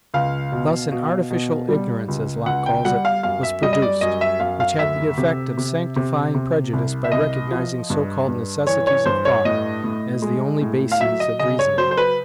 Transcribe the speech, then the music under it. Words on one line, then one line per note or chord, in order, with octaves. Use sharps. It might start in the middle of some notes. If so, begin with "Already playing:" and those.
Thus an 'artificial ignorance,' as Locke calls it, was produced, which had the effect of sanctifying prejudice by recognizing so-called necessities of thought as the only bases of reasoning.
C#2 F5
B2
B2
B2
G3
C#2
C#2 F#5
G5
G3 F#5
F5
F#2 F5
E5
G3 D#5
D#5
D5
F#2 D#5
E5
F#2 F5
F5
D2 E5
C3
C3
C3
C3
C2
E5
C2 D#5
F3
G2
G2
E3 C#5
C#5
G2 C5
C#5
A2 D#5
A2
G#3
A2
F5
F#3 E5
D#5
C#3 D#5
C#5
F#3 C5
C5
B4